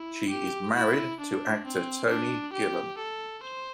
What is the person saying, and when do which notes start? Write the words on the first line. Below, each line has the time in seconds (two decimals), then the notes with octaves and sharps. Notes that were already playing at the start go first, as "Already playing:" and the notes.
She is married to actor Tony Gillan.
Already playing: E4
0.30 G4
0.75 E4
1.20 D4
1.65 C4
2.09 D4
2.53 G4
2.98 A4
3.43 C5